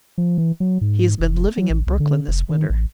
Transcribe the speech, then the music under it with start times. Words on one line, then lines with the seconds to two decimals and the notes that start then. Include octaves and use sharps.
He has been living in Brooklyn this winter.
0.18 F3
0.38 E3
0.60 F#3
0.81 G#2
1.20 F1
1.58 F#3
1.70 A1
1.86 C2
2.00 D3
2.28 F1
2.49 D#3
2.69 A1